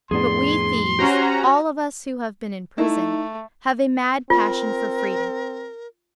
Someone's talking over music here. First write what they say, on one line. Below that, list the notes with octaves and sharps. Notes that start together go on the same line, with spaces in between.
But we thieves, all of us who have been in prison, have a mad passion for freedom.
F2 A2 B3 D4 G#4 C6
C#4 F#4 G4 C5 A#5
A3 D#4 E4
C4 F4 A#4